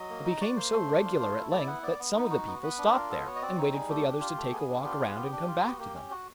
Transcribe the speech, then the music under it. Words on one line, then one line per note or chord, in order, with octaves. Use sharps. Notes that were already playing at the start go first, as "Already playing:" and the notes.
It became so regular at length, that some of the people stopped there, and waited for the others to take a walk round, and come back to them.
Already playing: F#3 D#5
A#3
D#4
F#4 D5
A#3 C5
A3
D4
F4
A3
E4
E4 D5
B3 F#5
B3 D5
B3
D#4
F#4
B3
B3 B4
D4
F4 A#4
B3 A4
F#4 C#5
D#5
C4 D5
D#4 C#5
G3 G#4
A3 G4
D4
F4
A3
B3 G#4
D4
F4 G4
B3
G#4
B3 G4
D4
F4
B3 F#4
A#3 G4
C#4
F#4